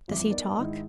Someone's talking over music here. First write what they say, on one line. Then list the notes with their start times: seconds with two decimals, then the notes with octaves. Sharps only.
"Does he talk?"
0.08 G1 F2 E5 D6
0.30 B3 D#4 A#4 D5
0.57 G#2 D#3 D#4 E4